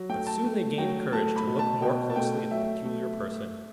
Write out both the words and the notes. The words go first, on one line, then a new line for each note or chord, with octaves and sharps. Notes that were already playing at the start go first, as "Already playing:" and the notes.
But soon they gained courage to look more closely at the Peculiar Person.
Already playing: F#3
A3 G5
A5
A3
F#3 G5
A3 A5
B5
B2
A5
B2 G5
A5
A3 G5
F#3 E5
A3